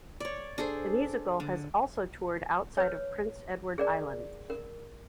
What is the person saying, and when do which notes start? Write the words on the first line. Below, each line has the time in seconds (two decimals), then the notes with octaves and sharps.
The musical has also toured outside of Prince Edward Island.
0.20 C#5 D5
0.58 D4 G#4 A4 C5
1.40 D3
2.77 B4 C#5
3.78 G#4 A#4 D5
4.50 A#4